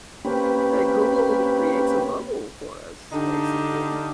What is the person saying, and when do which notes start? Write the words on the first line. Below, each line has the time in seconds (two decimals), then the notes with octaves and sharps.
that Google creates a bubble for us, basically.
0.25 A#3 C4 C#4 G4 B4
3.12 D3 D4 D#4 F4 G4